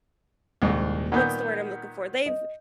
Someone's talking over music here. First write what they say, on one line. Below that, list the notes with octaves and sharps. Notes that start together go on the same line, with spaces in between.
what's the word I'm looking for they've
D#1 C2 G#2 G#3
A#2 D#3 B3 F#5 G6
D#5